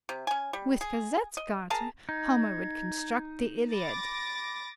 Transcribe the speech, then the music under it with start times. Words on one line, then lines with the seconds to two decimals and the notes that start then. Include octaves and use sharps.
With Cosette's garter, Homer would construct the Iliad.
0.09 C3
0.27 C#4 G#5
0.53 G3
0.81 G#4
1.37 D#5
1.70 G#4 A#4 A5 A#5
2.09 D#4 G#6
3.73 B5 D6 A6 A#6